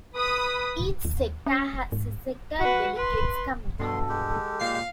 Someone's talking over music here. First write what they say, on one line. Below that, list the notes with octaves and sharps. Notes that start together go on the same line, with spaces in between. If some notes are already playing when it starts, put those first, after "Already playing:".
Each sector has a sector delegates’ committee.
B4 B5 D#6
D#2
C#4
F1
G#2
F#4 B4
B4 C6
G2 B2 A4 C6
G#3 G4
A#2 F5 C7